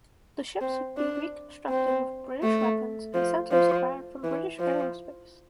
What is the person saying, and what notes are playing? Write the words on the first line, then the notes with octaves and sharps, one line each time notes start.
The ships would be reconstructed with British weapons and sensors acquired from British Aerospace.
C4
D4
C4
A3
F3
F3
E3
F3